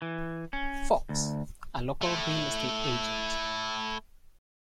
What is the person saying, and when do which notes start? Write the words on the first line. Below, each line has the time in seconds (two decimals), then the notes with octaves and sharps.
Fox, a local real estate agent.
0.02 E3
0.53 C#4
1.09 D2
2.02 A3 E4